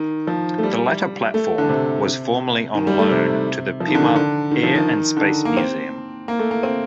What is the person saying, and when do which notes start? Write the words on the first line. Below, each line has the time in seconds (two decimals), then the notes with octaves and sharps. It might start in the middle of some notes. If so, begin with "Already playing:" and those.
The latter platform was formerly on loan to the Pima Air and Space Museum.
Already playing: D#3
0.27 F3
0.58 A3
0.63 G3
1.34 A3
1.58 D3
1.69 C3
2.75 D#3
2.87 G3
2.99 A3
3.10 C3
3.80 F3
3.88 D#3
3.95 D3
4.02 D#3
4.16 D3
4.51 D#3
4.63 F3
4.75 D#3
5.17 D3
5.21 D#3
5.45 A#3
5.57 C4
6.28 A#3
6.39 A3
6.51 A#3
6.63 C4